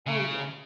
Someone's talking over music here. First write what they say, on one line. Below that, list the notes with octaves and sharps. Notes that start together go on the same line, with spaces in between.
Oh, yeah.
C#3